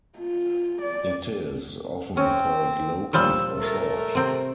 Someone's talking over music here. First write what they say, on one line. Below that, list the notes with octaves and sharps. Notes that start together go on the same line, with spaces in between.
It is often called Loki for short.
F4
D5
C4 C#4
A#2 F3 G3 E6
A3 A#4
C3 C4